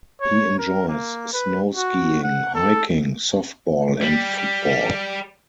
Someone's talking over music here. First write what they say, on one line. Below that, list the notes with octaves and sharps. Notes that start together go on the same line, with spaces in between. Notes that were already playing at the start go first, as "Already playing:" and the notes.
He enjoys snow skiing, hiking, softball and football.
C#5
A#4
A#3
B4
F#4
F#5
A4
G3